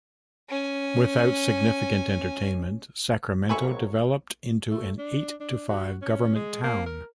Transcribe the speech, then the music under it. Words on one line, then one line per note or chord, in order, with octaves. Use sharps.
Without significant entertainment, Sacramento developed into an eight-to-five government town.
C#4 G#5
G#1 F#3 A4 C#5 E5 G#5 B5 C#6
A3
D4
D4
F#4
C#4
G#3
A#3
A#4